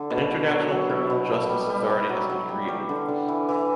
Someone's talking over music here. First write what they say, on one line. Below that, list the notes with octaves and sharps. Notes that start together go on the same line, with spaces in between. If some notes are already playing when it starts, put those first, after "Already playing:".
An international criminal justice authority has been created.
Already playing: D3
B2
B2
F#3
F#3
E4
B2
A4
G3
G3
G3
F#3
F#3
G3
G3
D3
D3
E3
E3